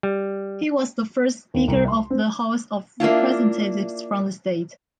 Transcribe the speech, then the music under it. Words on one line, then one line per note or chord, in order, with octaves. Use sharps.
He was the first Speaker of the House of Representatives from the state.
G3
D#2
C2
C6
C4
A#3 D4 E4 F4